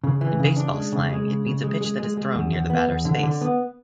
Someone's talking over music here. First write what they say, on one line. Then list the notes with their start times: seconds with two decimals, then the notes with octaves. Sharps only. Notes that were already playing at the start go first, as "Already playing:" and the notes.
In baseball slang, it means a pitch that is thrown near the batter's face.
0.04 C#3
0.21 E3
0.39 C#3
0.57 D4
0.74 G#3
0.92 C#3
1.10 G#3
1.27 C#3
1.46 C#3
1.64 G#3
1.81 G#3
1.99 G#3
2.17 G#3
2.35 E2
2.53 E2
2.70 B3
2.88 E2
3.05 D3
3.23 D3
3.41 B3